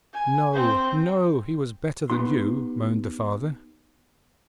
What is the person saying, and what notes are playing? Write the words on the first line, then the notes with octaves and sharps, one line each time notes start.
'No, no, he was better than you!' moaned the father.
G#5
C4 C5
B3 D#4 G4 C6